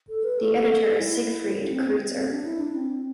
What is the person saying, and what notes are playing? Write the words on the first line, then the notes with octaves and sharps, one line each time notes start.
The editor is Siegfried Kreuzer.
A4
B4
A4
E4
D4
C4
B3
C4
D4
E4
D4
C4